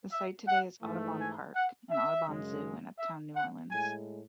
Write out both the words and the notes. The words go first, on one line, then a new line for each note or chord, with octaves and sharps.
The site today is Audubon Park and Audubon Zoo in uptown New Orleans.
E5
F#5
G#2 E3 A3
G#5
F#5
E5
F#2 C#3 G#3
E5
F#5
A2 G#3 G#5